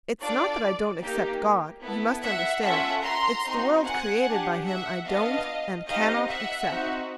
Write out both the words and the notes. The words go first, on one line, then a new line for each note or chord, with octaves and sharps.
It's not that I don't accept God, you must understand, it's the world created by Him I don't and cannot accept.
D4 F4 A4 D5
A#3 D#4 G4
B3 E4 A4
E5 F#5
C#4 F4 A4 E5 F#5
A#5 C6
C4 D#4 F#4
F#5 G#5
D4 G4
E5 F#5
B3 D4 F4 D#5 F5
C4 D#4 G4 D#5 F5
E5 F#5
C4 D#4 F#4